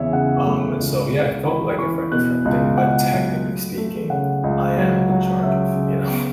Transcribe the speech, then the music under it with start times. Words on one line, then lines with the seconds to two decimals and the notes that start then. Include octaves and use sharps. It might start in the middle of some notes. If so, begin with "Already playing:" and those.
Um, and so yeah, it felt like a friend-to-friend thing, but technically speaking, I am in charge of, you know
Already playing: E2 C#3 C#5 E5
0.13 C#3 F#5
0.46 A3
0.79 C#2
1.12 C#3
1.45 E3 B5
1.78 E3 C#6
2.12 B2 F#6
2.45 C#2
2.77 C#2 F#5
3.11 F#3
3.44 A3
3.77 A3
4.10 C#3 F#5
4.43 C#2
4.77 F#3
5.10 F#3
5.43 C#3 E5
5.76 C#3
6.09 B3